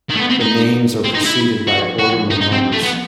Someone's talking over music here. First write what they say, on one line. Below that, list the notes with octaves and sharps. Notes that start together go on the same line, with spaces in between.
The names are preceded by ordinal numbers.
D#3
A3
B3
C4
D#4
C4
D#4
E4
F#4
F#4
D#4
D#4
C4
A3
B3